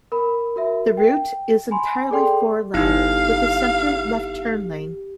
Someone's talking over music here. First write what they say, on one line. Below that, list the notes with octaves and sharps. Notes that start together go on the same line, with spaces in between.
The route is entirely four lane, with a center left-turn lane.
A#4 B5
F#4 A#4 E5
G5
G#5 B5 C6
G#4 A4 D5 G5 C6
G1 D#4 E4 G4 F5